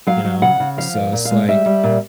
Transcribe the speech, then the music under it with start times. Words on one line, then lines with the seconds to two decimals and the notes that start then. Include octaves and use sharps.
you know? So it's like,
0.07 F#3 F5
0.24 F#3
0.42 C#3 F#5
0.60 C#3
0.77 F3 F5
0.95 A#2
1.13 A#2
1.25 F5
1.31 G#3
1.48 G3 E5
1.66 G3
1.84 A#2